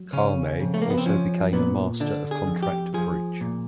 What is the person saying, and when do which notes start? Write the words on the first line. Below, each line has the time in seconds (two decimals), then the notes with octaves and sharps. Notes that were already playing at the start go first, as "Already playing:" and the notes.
Kalme also became a master of contract bridge.
Already playing: F#3
0.13 C#3 C#4
0.60 F2
0.74 A3
0.82 A#3
0.90 B3
0.98 C4
1.06 F3 C#4
1.53 A#2 B3
2.00 D3 D4
2.31 G#4
2.47 F2
2.63 G4
2.94 F3 G#4
3.41 A#2